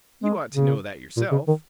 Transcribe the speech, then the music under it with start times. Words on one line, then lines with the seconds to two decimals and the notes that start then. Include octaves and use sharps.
You ought to know that yourself.
0.23 G#3
0.54 C#3
1.17 A#2
1.31 C#3
1.47 D#3